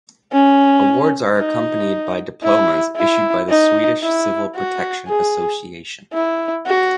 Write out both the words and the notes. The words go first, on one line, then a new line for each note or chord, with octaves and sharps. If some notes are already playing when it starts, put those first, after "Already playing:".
Awards are accompanied by diplomas issued by the Swedish Civil Protection Association.
C#4
D#4
E4
E4
D#4
E4
F#4
G#4
E4
F#4